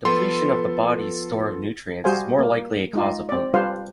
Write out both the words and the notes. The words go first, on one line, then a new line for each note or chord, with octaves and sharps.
Depletion of the body's store of nutrients is a more likely cause of hunger.
F3 B3 A4 C6
G3 F#4 G#4 C5 F5 G#5
A#3
G#3 D#4 F4
C4 D5
G3 D4 F4 B4 C5 F5